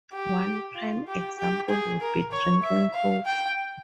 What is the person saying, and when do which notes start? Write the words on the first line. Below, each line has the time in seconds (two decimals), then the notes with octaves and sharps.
One prime example would be drinking coffee.
0.13 G4
0.76 F4
1.07 G4
1.39 G4
1.69 G#4
2.01 A#4
2.32 C#5
2.63 E5
2.94 F5
3.26 G5